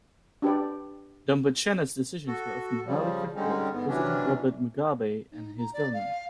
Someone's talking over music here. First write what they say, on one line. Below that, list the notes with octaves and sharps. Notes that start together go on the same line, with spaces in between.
Dumbutshena's decisions were often highly critical of President Robert Mugabe and his government.
D4 G4 B4 D5
F#4 A4
C#3 F3 G3
D3 G3 G#3 C4 C#4 D#4
G#2 B3
C3 E3 F#3 C#4 D4
D#4
A#5
D5
F5